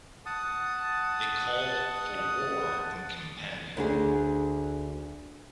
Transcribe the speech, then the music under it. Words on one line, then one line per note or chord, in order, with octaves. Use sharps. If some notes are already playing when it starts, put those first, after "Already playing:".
They called for war in Campania.
F#5 A5 D#6
D2 D4 G#4